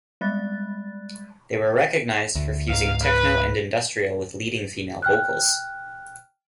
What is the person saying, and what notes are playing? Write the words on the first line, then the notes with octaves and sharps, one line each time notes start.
They were recognized for fusing techno and industrial with leading female vocals.
G3 G#3 D5 B5 F#6 A6
D2
C#2 G#2 F5
B4
G5 F6 F#6